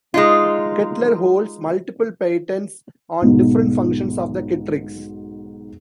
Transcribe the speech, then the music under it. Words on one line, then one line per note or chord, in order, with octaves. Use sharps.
Kettler holds multiple patents on different functions of the Kettrikes.
G#3 D#4 F4
B1 G#2 B2